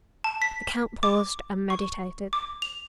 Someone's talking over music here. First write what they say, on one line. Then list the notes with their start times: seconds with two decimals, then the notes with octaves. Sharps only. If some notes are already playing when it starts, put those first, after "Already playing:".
The count paused and meditated.
0.24 A5
0.42 B6
1.03 D6
1.70 C#6
2.33 D6
2.62 F7